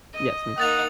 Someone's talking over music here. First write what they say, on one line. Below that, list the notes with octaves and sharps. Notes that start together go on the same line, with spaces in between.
Yes, me too.
D#5
A#3 D#4 F#5 D#6 A6 F7